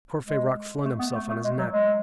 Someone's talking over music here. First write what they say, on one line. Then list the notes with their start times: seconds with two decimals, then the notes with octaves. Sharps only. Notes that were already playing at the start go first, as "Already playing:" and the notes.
Courfeyrac flung himself on his neck.
0.26 G#3
0.85 A3
0.99 B3
1.15 A3
1.29 A3
1.44 G#3
1.58 F#3
1.72 G#3